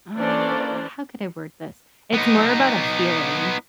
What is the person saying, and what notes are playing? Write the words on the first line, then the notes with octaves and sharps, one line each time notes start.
uh, how could I word this? It's more about a feeling,
E3 C#4 D4 A4 C5 D5
B3 D#4